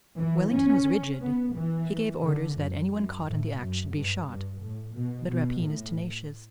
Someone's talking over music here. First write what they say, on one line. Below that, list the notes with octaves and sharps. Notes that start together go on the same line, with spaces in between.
Wellington was rigid; he gave orders that any one caught in the act should be shot; but rapine is tenacious.
E3
C#4
B3
E3
D3
F#2
F#2
A2
F#2
G2
G2
A2
B2
B2
A2